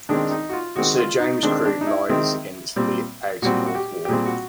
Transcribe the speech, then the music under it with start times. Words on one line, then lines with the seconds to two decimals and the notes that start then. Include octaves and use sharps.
Sir James Creed lies against the outer north wall.
0.09 D#3 G#3 C4 D4
0.31 D#4
0.49 F#4
0.53 F4
0.76 D#3 G#3 C4 F#4
0.98 F4
1.20 D#4
1.42 D#3 G#3 C4 D4
1.65 D4
1.81 D#4
1.87 E4
2.09 D#3 G#3 C4
2.76 A#2 G3 C4
3.42 A#2 G3 C4 F#4
3.66 F#4
3.75 G4
4.05 G4
4.09 A#2 G3 C4 G#4
4.25 F#4